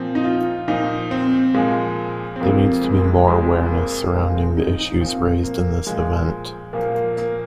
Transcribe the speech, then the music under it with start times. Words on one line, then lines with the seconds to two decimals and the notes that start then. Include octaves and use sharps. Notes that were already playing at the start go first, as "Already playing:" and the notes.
There needs to be more awareness surrounding the issues raised in this event.
Already playing: A#2 F3 C4
0.15 D#4
0.24 F4
0.68 A#2 F3 D#4
1.11 C4
1.54 A#2 F3 G#3
2.36 C4
2.41 F2 C3 F3 A#3
2.84 G#3
2.93 A#3
3.02 G#3
3.27 F2 C3 F3 G#3
3.71 A#3
4.14 A#2 F3 G#3
4.35 C4
4.57 D#4
4.79 D#4
5.00 A#2 F3 C4
5.43 A#3
5.87 A#2 F3 G#3
6.73 A#2 F3 A#3
6.95 A#3
7.17 A#3